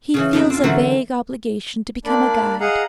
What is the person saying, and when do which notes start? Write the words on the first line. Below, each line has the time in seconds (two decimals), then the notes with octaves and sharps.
He feels a vague obligation to become a guide.
0.14 C#3 E3
0.33 F2 D4 B5
0.50 C4 F4
0.64 D3 E3 F#3 A#4 C5
2.05 A#3 D4 D5 B5
2.60 G#4 D#5 F5 F#5 A#5